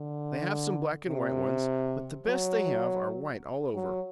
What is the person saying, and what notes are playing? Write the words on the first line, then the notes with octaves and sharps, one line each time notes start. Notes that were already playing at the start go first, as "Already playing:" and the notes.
They have some black and white ones; but the best they have are white all over.
Already playing: D3
C3
F#3
F#3